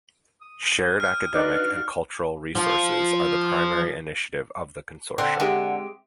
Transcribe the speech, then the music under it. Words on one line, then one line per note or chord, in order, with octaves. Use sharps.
Shared academic and cultural resources are the primary initiative of the consortium.
D#6
G5 F6
D4 D#4 F#4 B4 D5 D#5 F5
F3 F4
D3 C4 F#5
C3 G#3 G4